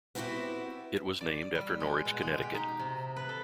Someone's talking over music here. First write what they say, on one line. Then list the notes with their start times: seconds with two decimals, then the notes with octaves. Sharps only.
It was named after Norwich, Connecticut.
0.15 B3 C4 D#4 E4 F#4 G4
1.21 D5
1.55 G3
1.80 G#3
2.05 B2
2.22 G#3
2.42 G4
2.54 D#4
2.79 C3
3.16 B4
3.29 A4